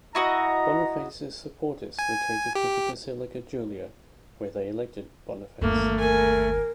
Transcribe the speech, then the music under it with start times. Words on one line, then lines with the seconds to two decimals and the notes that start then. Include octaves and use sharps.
Boniface's supporters retreated to the basilica Julia, where they elected Boniface.
0.15 E4 F#4 D#5 A#5
1.99 G#5
2.55 G4
5.61 G1 D#2 A3 A#3
6.00 A#4 G#5